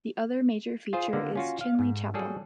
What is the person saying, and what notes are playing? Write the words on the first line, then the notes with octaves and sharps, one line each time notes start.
The other major feature is Chinley Chapel.
F4 G#4 C5
D3 A#3 B3
C#4 F4 F#4
F5
G#2
F#3 G3 G#4 A4